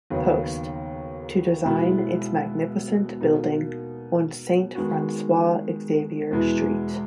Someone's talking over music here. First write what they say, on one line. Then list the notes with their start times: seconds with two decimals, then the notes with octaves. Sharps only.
Post, to design its magnificent building on Saint Francois-Xavier Street.
0.10 D#2 C#3 F#3 B3 D#4
1.65 B2 G#3 B3 E4
3.21 B2 A#3 D#4
4.75 D#3 G#3 B3 D#4 F#4
6.31 E2 B2 G#3 B3 E4